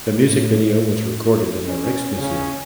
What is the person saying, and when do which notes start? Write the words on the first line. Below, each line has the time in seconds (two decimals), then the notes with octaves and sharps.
The music video was recorded in the Rijksmuseum.
0.13 A2
1.65 C#4
2.18 C#3 C#4